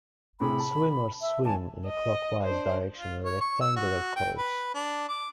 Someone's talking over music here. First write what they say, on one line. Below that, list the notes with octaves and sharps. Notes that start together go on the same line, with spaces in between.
Swimmers swim in a clockwise direction on a rectangular course.
A2 C3 G#4 B5
A5
E5
E2 G#5 A5
D#5
D4 C5
F4
C#5
C#6
E6
F#4
G5
B4
D4
D6